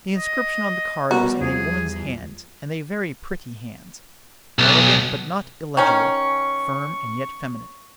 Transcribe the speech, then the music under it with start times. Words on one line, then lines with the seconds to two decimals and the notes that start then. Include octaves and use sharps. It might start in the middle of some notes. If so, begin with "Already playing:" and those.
The inscription on the card was in a woman's hand, and a very pretty hand--elegant but not illegible, firm and yet feminine.
0.16 D#5
1.11 G3 B3 F#4 A#4 C#5
1.41 E2 F3 G3 G#4
4.59 B1
5.77 D#3 C#4 C#6